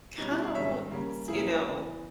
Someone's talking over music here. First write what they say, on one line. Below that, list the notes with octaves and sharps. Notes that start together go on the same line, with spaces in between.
kinda wanna s you know,
B2 G3 C#4 D#4
E4
E4 G#4
G#2 D#3 G3 C#4 C#5 E5
C#3 G3 A#3 C#4
G#2 E3 A#3 C#4 E4 G#4
E2 C#3 E3